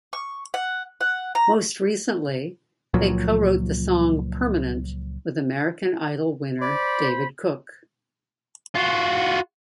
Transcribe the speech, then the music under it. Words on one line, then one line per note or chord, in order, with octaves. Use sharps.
Most recently, they co-wrote the song "Permanent" with American Idol winner David Cook.
C#6
F#5
F#5
A#5
C#2 A#2 F3 F#3
C5 D5 B5
F4 F#4